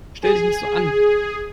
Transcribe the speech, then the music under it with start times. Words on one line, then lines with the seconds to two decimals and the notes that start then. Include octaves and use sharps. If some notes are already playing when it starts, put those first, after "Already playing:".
Stell dich nicht so an!
0.23 G#4